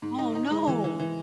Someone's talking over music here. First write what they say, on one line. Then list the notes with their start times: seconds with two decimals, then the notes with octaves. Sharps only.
Oh, no!
0.02 G#2
0.19 D#4
0.35 D#4
0.51 G#3
0.67 E3
0.84 E3
1.00 E3